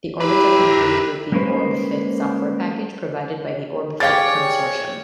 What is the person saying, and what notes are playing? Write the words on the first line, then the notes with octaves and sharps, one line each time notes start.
The orbits are computed with the OrbFit software package provided by the OrbFit Consortium.
E4 G4 A#4 B4
G3 G#3 A#3 C#4 B4 C5
G4 G#4 C#5 D5 F5 A6